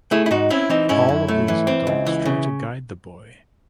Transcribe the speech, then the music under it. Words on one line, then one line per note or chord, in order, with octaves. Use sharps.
All of these adults try to guide the boy.
A3 E4 G#4
E4
G#2 D#4 F#4
C4 C#4 E4
E3 C4 D#4
G#2 C#4 E4
F#2
A3
E3
C4
C#2
E3
C#3